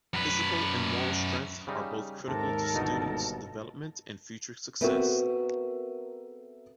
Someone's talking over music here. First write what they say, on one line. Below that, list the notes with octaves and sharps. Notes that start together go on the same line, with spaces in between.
Physical and moral strength are both critical to students' development and future success.
F#2 B4
C#3 G3 D#4
D#2 G#2 C3 A4 A#4 A5
G1 B2 D#4
B3 C4 F#4 A4 A#4 E5